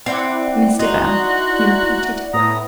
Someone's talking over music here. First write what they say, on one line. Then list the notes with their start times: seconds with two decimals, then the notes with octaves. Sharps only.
'Mr. Bell,' he repeated.
0.06 C4 E4 D5 F#5
0.79 D#4 F#4 C6
2.34 A2 B3 E4 A#5 D#6